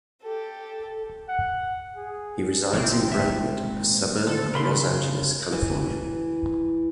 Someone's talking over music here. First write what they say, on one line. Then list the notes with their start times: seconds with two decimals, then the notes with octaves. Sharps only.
He resides in Brentwood a suburb of Los Angeles, California.
0.22 G4 A4
1.29 F#5
1.96 G#4
2.73 A1 D2 A#2 E3 C4
3.09 G#2 E5
3.63 A#2 D#3
4.27 D2 A4
4.54 C#3 A#4 B5 C6
5.52 E3